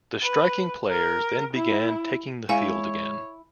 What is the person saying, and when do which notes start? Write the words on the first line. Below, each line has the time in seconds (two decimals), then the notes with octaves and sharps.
The striking players then began taking the field again.
0.22 B4
0.89 A#4
1.53 E4
2.49 G#3 E4 C#5 F5 G#5